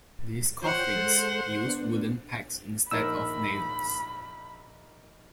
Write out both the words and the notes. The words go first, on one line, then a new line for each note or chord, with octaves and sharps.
These coffins use wooden pegs instead of nails.
F4 C5 C#5 F#5 G5
G#3 A4
B3 D4
A#1 D#4 A#4 B5 E6